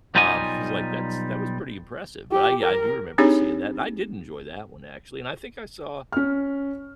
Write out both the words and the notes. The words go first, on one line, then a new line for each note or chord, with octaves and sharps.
um, it was like that's that was pretty impressive, but I, yeah, I do remember seeing that, and I did enjoy that one, actually, and I think I saw,
B1 G3 D#4 F4 D#5 G#5
G4
A#4
C4 D4 D#4 G4 G#4 C#5
C#4 F6